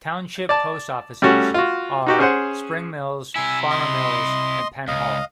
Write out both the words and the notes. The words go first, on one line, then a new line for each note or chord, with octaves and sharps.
Township post-offices are Spring Mills, Farmers Mills, and Penn Hall.
D5 A5
G3 A3 C#4 F#4
F4 F#4
D#4 F#4 G4
C#4 G#4 C5 F#5
C3 E4 G#5 E6
D#5 C6
C#2 D#5 F5